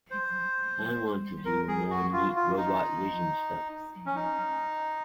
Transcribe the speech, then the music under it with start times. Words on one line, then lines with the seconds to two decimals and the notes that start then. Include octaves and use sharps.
I want to do more neat robot vision stuff.
0.11 C5
1.45 A#4
1.68 G#4
1.91 F#4
2.13 F4
2.36 F4
2.58 D#4
4.06 C#4
4.16 D#4